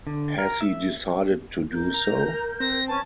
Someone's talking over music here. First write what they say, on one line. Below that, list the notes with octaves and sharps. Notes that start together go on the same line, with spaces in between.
Has he decided to do so?
D3
A#4
E5
A#4 G6
A#5
C4 A#6
C#4 B4 G#5 A5